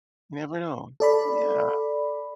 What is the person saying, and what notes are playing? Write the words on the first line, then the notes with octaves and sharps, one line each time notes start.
You never know, yeah.
A4 D5 B5